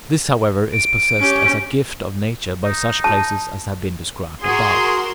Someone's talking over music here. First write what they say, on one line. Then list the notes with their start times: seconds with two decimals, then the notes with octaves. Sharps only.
This, however, is possessed as a gift of nature by such places as have been described above.
0.73 D7
1.19 C#4 G4
2.64 D#4
3.04 A5
4.43 F#4 G#4 A#4 C6